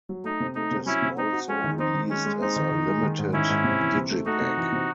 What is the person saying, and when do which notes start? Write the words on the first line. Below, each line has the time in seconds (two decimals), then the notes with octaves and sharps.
It is also released as a limited digipak.
0.09 F#3
0.24 A3 D#4
0.40 C3
0.55 A3 D#4
0.71 C3
0.86 F#3 C#4 E4
1.02 C3
1.17 C4 D#4
1.32 F#4
1.48 G#3 C#4
1.64 D#3
1.78 C4 D#4
1.95 D#3
2.10 G#3 C#4
2.25 G#3
2.41 C4 D#4
2.56 D#3
2.71 D#3
2.87 G#3
3.03 D#3
3.19 G#2
3.33 D#3 C#4 E4
3.49 G#2
3.64 C3
3.80 E3
3.96 C3
4.11 A3
4.26 A3 D#4 F#4
4.41 C3
4.57 E3
4.72 C3